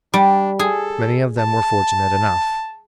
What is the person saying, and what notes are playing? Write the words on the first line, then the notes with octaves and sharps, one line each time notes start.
Many of them were fortunate enough.
G3 D4
G#4 A4
A5